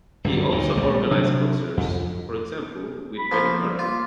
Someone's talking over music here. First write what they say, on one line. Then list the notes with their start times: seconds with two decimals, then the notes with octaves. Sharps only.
He also organised concerts, for example with Benny Carter.
0.25 G2 D3 E3 F#3
0.52 D2 A#2 D#3
0.77 A#1 G3 A3
1.11 C3 F#3 D4
1.77 F2
3.18 B5
3.32 F3 A#3
3.64 G3
3.79 A#3 F4